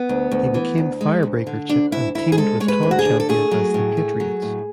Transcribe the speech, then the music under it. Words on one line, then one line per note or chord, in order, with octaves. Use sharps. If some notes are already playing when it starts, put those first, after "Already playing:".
He became Firebreaker Chip and teamed with Todd Champion as The Patriots.
Already playing: B3
D2
D2
E3
D2
G#3
D2
D3
D2 D4
D2 E4
D2 E4
G#4
G#3 A4
G#3 C#5
B4
D2
F#4
G#4
D3
A4
A3 G#4
F#3
A2
A3
F#3
A2